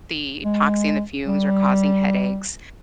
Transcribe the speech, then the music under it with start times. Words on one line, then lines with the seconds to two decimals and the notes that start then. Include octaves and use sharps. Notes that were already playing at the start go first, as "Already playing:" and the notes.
the epoxy and the fumes were causing headaches.
0.44 G#3
1.27 G3